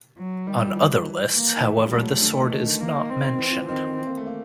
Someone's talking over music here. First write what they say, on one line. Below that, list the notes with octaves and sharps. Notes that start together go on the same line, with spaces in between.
On other lists, however, the sword is not mentioned.
F#3
D#3 G3
F3
E3
E3
A#3
D#3
E3 A3
F3
G3
F#3 A3
G3
D3
D#3
E3
D#3
D3
D#3 A#3
D#3
C4
E3
F3
E3
D#3 C4
E3
A#3
A3
A#3